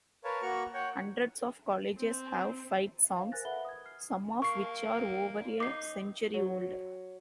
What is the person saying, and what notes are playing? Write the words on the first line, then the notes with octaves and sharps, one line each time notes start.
Hundreds of colleges have fight songs, some of which are over a century old.
A#4 B4 C#5 F5 A5
A#3 F#4 A#5 C#6 F6
C#5 F#5 G5
C4
C5 F5
A#4 C5 G#5 F#6 A6 A#6
A4 B4 E5 F#5 B5 G7
D#6 G#6
F6 C7
A#3 C#6 C7
D#4 D6 C7
F#3